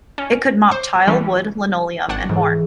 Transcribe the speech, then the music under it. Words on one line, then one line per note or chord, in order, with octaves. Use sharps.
It could mop tile, wood, linoleum, and more.
C#4
C5 D6
E3 G3 C#4
G#1 D4 F#5 C#6
G#2 E3 G#4 A4